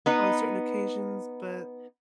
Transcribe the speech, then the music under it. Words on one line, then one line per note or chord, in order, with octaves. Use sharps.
on certain occasions, but
B3 D#4 B4